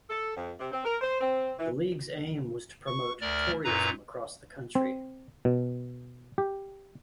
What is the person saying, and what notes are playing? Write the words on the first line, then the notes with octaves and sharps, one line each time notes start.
The league's aim was to promote Toryism across the country.
A4
F2
C3
C4
A#4
C5
C4
E3
C#6
D2 A#4 D5 F6
F#2 A#2 B4 A#5
C4
B2
G4